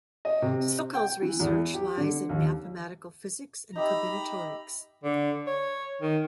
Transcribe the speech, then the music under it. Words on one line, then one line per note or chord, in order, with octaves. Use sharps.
Sokal's research lies in mathematical physics and combinatorics.
D#5
C3
G5
E3
E2
G4
D3
D#2
D#4 G4 E5 A#5 B5
D3
C#5
D#3